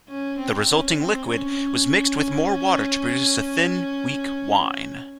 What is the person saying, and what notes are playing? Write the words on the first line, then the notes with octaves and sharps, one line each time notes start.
The resulting liquid was mixed with more water to produce a thin, weak wine.
C#4
C4
C#4
C4
C#4